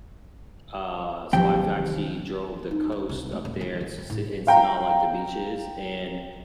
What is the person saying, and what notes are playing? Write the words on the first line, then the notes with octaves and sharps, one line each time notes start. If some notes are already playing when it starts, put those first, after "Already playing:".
uh so I've actually drove the coast up there and s s and seen all, like, the beaches and,
A1 D#2 C3 F3 F#3 G5
D#4
G2
C2
A3
D#1
E3
E3
C4
A2
F5 G5 A#5